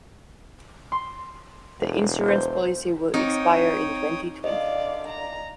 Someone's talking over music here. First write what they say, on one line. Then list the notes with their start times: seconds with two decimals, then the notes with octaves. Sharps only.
The insurance policy will expire in twenty-twenty.
0.92 C6
1.80 E1
2.28 C5
3.14 C4 D#4 C#5 G5 D#6
4.44 D3 D5 D#5 F5
5.08 A#5